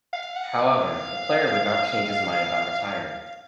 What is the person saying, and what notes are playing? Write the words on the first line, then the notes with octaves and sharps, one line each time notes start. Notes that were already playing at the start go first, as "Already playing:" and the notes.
However, the player would not change his mind about retiring.
F5
F#5
F5